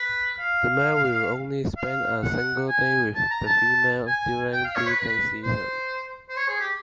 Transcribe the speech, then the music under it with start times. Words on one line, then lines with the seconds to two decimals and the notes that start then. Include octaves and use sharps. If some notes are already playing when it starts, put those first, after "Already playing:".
The male will only spend a single day with the female during breeding season.
Already playing: B4
0.39 F5
1.77 F5
2.23 F#5
2.68 G#5
3.15 A5
3.30 A#5
3.46 A5
4.07 G#5
4.52 G5
4.64 F5
4.75 C#5
4.87 B4
4.99 B4
5.44 C5
6.29 C5
6.37 C#5
6.48 G#4
6.60 G4